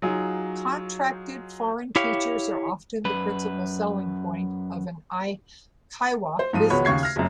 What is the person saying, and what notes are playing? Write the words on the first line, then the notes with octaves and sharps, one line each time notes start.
Contracted foreign teachers are often the principal selling point of an eikaiwa business.
F#3 D#4 F4 G#4 F5
E4 G4 C#5 F5
F#2 B4
C5
G#2 F3 D#7
C#2 G#3 B3 F#4 C#5 B5
D#2 C#3 C#6 G#6 C7
F6 A#6
F#1 F#2